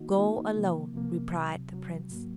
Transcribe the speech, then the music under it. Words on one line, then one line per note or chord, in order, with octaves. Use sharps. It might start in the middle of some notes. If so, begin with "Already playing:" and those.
"Go alone," replied the prince.
Already playing: D#3 A#3 D#4 F#4
D#3 A#3 D#4 F#4
C3 F3 A#3
C3 F3 A#3
C#2 C3 F#3
C#2 C3 F#3
G#2 F#3 A#3